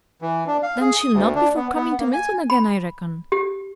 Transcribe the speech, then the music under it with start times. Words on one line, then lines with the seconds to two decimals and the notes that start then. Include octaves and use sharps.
'Then she'll not be for coming to Milton again, I reckon.'
0.22 E3
0.47 D4
0.63 F5
0.81 G#4
1.01 D#6
1.14 D2
1.35 D4
1.55 B3
1.75 B3
1.99 A#3
2.13 G#5
2.50 B5
3.32 G4